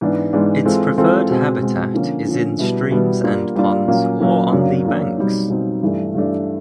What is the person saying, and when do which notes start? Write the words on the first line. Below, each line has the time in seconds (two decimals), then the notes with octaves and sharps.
Its preferred habitat is in streams and ponds or on the banks.
0.01 G#2 E3 G#3 B3 D4
0.33 G#2 E3 G#3 B3 D4
0.65 E3 G#3 C4 F4 A4
0.98 E3 G#3 C4 F4 A4
1.30 B2 G#3 C4
1.62 B2 G#3 C4
1.94 D3 F3 A#3 C#4
2.27 D3 F3 A#3 C#4
2.59 B2 G3 B3 E4
2.91 B2 G3 B3 E4
3.24 G3 A#3 D4 F4
3.56 G3 A#3 D4 F4
3.88 A#2 F#3 A#3 C#4
4.20 A#2 F#3 A#3 C#4
4.52 F#2 C#3 F#3 A#3 D4
4.85 F#2 C#3 F#3 A#3 D4
5.17 B2 G3 C4 D#4
5.50 B2 G3 C4 D#4
5.82 G2 E3 A3 D4
6.14 G2 E3 A3 D4